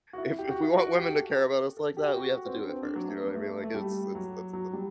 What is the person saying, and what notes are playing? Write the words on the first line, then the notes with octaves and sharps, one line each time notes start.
If if we want women to care about us like that, we have to do it first," you know what I mean? Like, it's it's that's
F#4
E4
G4
F#4
E4
F#4
G4
A4
A4
G4
F#4
C4
D4
C4
D4
F#3
A3
B3
A3
A3
G3
F#3
F#3
G3